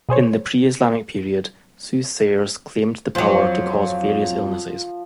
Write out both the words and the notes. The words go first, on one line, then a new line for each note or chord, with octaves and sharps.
In the pre-Islamic period, soothsayers claimed the power to cause various illnesses.
B2 G#4 C5 C#5
F2 F3 F#3